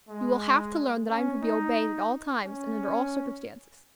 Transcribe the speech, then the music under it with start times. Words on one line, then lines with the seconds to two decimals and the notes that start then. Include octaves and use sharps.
You will have to learn that I am to be obeyed at all times, and under all circumstances.
0.08 G#3
1.09 C#4
1.42 D#4
2.44 C#4